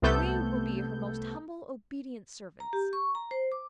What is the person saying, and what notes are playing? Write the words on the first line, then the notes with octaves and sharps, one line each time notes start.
We will be her most humble obedient servants.
C2 C3 A3 B3 A4 G6
A#5
G4
C#6
A#5
C5
D6